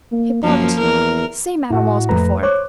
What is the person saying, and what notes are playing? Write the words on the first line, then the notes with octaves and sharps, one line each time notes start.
Hippot--same animal as before.
A#3
F#2 F3 A#3
E2 A#4
A2 F#4
F2 A3 B4 A#5
C5 C#5 D6 F#6